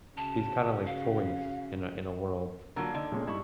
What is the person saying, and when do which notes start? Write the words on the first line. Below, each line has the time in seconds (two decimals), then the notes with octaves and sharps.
these kinda, like, toys in a in a world,
0.17 C#3 C#4 F#4 A5
0.86 F5
2.76 D3 F#3 A#3 F4 A#5
2.94 D3 D4 D#4
3.12 B1 A#2 G#3 C#4
3.27 G2 D#4 E4 C#6